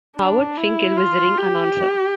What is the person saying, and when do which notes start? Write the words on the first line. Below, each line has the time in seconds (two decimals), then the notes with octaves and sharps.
Howard Finkel was the ring announcer.
0.17 D4
0.57 E4
0.97 F4
1.37 G4